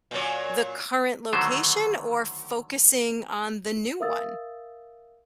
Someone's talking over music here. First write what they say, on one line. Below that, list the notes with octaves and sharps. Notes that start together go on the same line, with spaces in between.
the current location or focusing on the new one?
A#2 F#3 C#5
D3 D#3 F#3 A3 C5
A#4 E5 F5 D#6 E6 A6